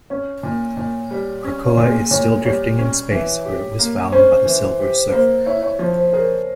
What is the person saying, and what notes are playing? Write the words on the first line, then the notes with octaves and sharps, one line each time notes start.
Krakoa is still drifting in space where it was found by the Silver Surfer.
C#4 C#5
A#2
A#2
G3
C#4
C#5
A#2
G#4
A#2 C#5
G3 C#5
C#4
E3
G4
A#3
C#4 C5
E3
G4
A#3 C5
E4 C#5
C#5
F3 C5
C5
G#4 A#4